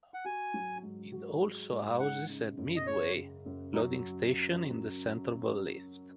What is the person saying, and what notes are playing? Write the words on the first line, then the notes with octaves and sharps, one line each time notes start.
It also houses a "midway" loading station in the center of the lift.
F#5
F#4 G#5
F#3
G#2
F#4
G#3
G#2
D#4 F#5
C#3
F#2
D#5
G#4 C#5
C#3
F#2
F#3 D#4